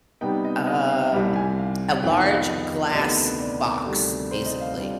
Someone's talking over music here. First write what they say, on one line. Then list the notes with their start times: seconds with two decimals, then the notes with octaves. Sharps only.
um, a large glass box, basically,
0.21 C3 G3 B3 D#4 G5
0.44 D#5
0.67 D#5
0.89 F5
1.12 C2 C3 G3
1.36 G#5
1.58 F5
2.03 F2 D#3 B3 G5
2.26 F5
2.49 D#5
2.89 D5
2.95 D2 C3 D#3 B3 D#5
3.40 D5
3.85 D2 C3 D#3 G3 D4
4.31 C5
4.46 D#5
4.61 F5
4.77 C3 G3 D4 F4 D5